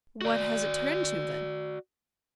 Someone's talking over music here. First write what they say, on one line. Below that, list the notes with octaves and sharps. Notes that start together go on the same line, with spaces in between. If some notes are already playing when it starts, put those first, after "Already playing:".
"What has it turned to, then?"
F#4 D5